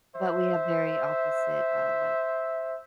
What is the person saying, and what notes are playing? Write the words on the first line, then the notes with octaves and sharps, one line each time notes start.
but we have very opposite, uh, like,
C5 E5